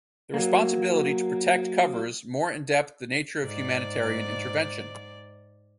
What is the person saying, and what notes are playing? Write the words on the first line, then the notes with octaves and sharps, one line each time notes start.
The responsibility to protect covers more in depth the nature of humanitarian intervention.
F#3 A#3
G#2 D5